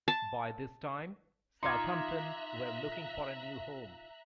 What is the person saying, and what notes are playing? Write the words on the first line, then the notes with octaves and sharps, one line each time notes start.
By this time, Southampton were looking for a new home.
A5
D#4 F4 E5 A#5 C6 D6 F#6 G#6